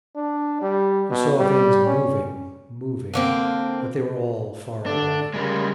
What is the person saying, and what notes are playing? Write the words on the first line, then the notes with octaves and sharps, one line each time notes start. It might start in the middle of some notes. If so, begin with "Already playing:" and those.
He saw things moving, moving, but they were all far away.
D4
G3
B2
G3
C#4
D3 A#3 C4
D3 A3 D4
C#3 G3 G#3 A#4